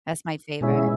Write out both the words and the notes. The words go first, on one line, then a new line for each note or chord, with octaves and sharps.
That's my favorite.
B2 G#3 C#4 E4